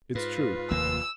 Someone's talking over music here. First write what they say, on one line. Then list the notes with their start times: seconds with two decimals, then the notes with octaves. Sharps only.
"It's true."
0.15 G#2 F4 B4
0.70 F1 D#2 A#3 E6